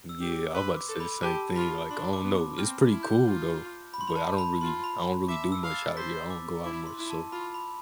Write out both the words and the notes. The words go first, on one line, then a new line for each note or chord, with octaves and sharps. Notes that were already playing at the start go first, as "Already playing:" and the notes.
Yeah, I'm 'bout to say the same thing, like, I don't know, it's pretty cool, though, but I don't really I don't really do much out here, I don't go out much, so
E6
G4
D6
B4 C6
D6
A4
B5
G4 A5
F4 B5
D4 C6
D6
B3
D6
C4 F6
E4
G6
F4
B5
C6
B5
A5
B5
F4 C6
B5
E5 D6
E6
F5
A6
C5 B6
D6
E4 D6
C6
E4
A5
F4 B5
B5